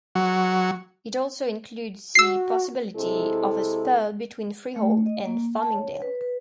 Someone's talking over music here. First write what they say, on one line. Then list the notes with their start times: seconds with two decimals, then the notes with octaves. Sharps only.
It also includes the possibility of a spur between Freehold and Farmingdale.
0.15 F#3
2.15 F#4 E6 C7
2.95 C3 G#3 E4 A4
4.76 A3
5.06 D#5
5.25 A#3
5.56 A5
5.73 C#5
6.02 B4
6.21 B4